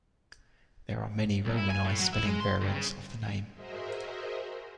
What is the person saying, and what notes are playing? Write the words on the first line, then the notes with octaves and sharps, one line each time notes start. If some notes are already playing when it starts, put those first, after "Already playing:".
There are many Romanized spelling variants of the name.
B1
E4
G#5
A2
F#3
E4
G#3
C6
G2
C#3
F#4 G#4 A#4 C5 D#5 E5